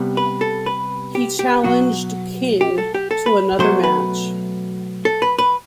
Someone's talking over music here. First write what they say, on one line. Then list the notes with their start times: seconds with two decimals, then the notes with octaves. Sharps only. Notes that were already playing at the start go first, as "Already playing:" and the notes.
He challenged King to another match.
Already playing: C3 G3 B3
0.17 B4
0.41 A4
0.66 B4
1.15 G4
1.39 G4
1.63 B2 F#3 B3 F#4
2.61 G4
2.78 A4
2.94 G4
3.11 A4
3.26 B4
3.59 B2 F#3 A3 C5
3.83 B4
5.05 A4
5.22 B4
5.38 B4